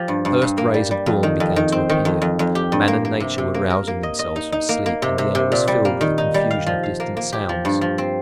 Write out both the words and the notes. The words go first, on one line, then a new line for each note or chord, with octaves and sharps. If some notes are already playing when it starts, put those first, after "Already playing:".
The first rays of dawn began to appear: man and nature were rousing themselves from sleep and the air was filled with the confusion of distant sounds.
Already playing: F3 G4
G2
G2
G2
A#3
G3
G3
F2
D#3
F2
D#3
C4
D#3
F2
F2
F2
G4
G2
A#3
A#3
C3
C3
A#3
A#4
A#3
D#5
D#5
D#4
D#4
A#3
A#3
C3
C3
C3
A#2
G3
A#3
D#3
D#4
G3
F5
F3
F5
A#3
A#3
G4
F3
G2
F3
C4